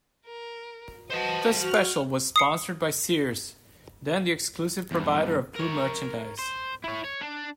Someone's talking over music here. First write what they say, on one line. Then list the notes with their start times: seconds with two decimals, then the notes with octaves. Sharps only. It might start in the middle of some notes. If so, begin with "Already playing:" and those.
The special was sponsored by Sears, then the exclusive provider of Pooh merchandise.
0.26 A#4
1.10 F#4 B4 C5 D#5 A5
1.61 F#4 F#5 F6
2.36 D#6 C7 C#7
4.91 E2 G2
5.56 A#4 C#5
6.39 C5
6.84 E4 C#5
7.04 C#5
7.21 D4